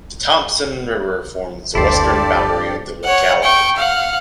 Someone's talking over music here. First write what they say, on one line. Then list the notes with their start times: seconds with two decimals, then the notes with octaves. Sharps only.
The Thomson River forms the western boundary of the locality.
1.75 F#1 D2 G2 E4 G4 A4 C5 D5
3.04 C#5 F#5
3.43 G5 C#6
3.77 F5 F#5